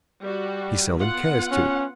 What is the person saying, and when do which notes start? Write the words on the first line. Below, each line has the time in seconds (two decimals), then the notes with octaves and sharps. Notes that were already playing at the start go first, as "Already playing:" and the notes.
He seldom cares to.
0.24 G3 F#4
0.96 B3 F4 F#5
1.51 C#4